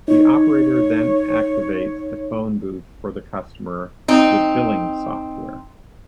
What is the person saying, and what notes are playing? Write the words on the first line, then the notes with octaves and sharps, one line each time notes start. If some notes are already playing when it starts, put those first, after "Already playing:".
The operator then activates a phone booth for the customer with billing software.
D#4 C#5
C4 D#4